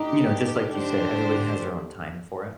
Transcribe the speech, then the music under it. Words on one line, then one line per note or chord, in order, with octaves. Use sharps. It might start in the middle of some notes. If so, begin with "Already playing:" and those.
you know, just, like, you said, everybody has their own time for it.
Already playing: A#2 A3 D4 D#4 G4
D3 A3 D4 G4 C5